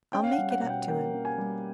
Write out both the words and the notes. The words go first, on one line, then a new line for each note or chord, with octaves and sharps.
I'll make it up to him.
C#4 G5
F5
F#5
G3
F#5
B2 F#5
G5
A#3 G5
C#4
G#5
G3